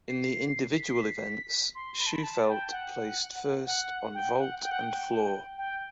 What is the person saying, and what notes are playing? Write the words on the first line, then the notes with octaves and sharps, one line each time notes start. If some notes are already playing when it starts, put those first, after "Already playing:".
In the individual events, Shewfelt placed first on vault and floor.
C7
B6
C7
B6
C6
B5
A5
B5
A5
G5
F#5
F#5
G5
F#5
G5
F#5
G5
G5